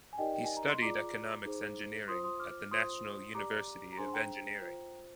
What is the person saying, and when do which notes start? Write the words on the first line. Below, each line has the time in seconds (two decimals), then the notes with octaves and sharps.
He studied economics engineering at the National University of Engineering.
0.13 G#5
0.18 D#4 G4 A#4 D5 D#5 G5
0.33 G5
0.45 G#5
0.57 A#5
0.69 C6
0.82 F4 G#4 D5 A#5 D6
1.44 D#4 G#4 C5
2.08 F4 C5 C6 D#6
2.24 C6 D#6
2.40 D6 F6
2.60 F6
2.71 F4 C5 C6 D#6
3.34 G4 D5 A#5 D6
3.93 A#5
3.98 D4 G#4 C5 G#5 C6
4.08 C6
4.13 G5 A#5
4.61 F4 C5